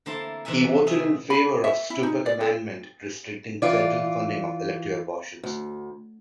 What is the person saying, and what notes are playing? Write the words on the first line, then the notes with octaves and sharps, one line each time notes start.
He voted in favor of the Stupak Amendment restricting federal funding of elective abortions.
D3 A#3 C4 E4 A5 C6
C3 E3 G#3 E5 G#5
G#4 E5 G#5
B5
E5
E4
D#4
D5
A4
E3 F4 D5
D2